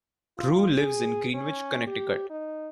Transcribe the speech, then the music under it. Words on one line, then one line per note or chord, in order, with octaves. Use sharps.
Ruh lives in Greenwich, Connecticut.
F4
G#4
C#4
G4
D#4